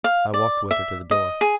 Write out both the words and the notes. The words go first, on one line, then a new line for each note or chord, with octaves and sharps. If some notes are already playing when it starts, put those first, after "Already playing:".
I walked with her to the door.
F5
D5
E5
D#5
G#4